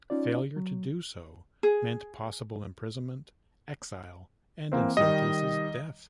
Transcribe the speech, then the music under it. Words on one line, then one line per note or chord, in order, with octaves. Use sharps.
Failure to do so meant possible imprisonment, exile, and, in some cases, death.
C#4 D#4 F4 D5
F#3
G#4
E3 A#3 C4
D#3 G3 D#5